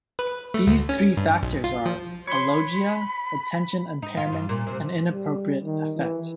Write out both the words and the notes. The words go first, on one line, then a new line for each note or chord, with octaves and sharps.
These three factors are: alogia, attention impairment, and inappropriate affect.
B4
A3
D2
C#4
G2
B1
F4
F3
C#5 B5 C6
D#4
F4
G2
A#2
C3
G3
D#3
E3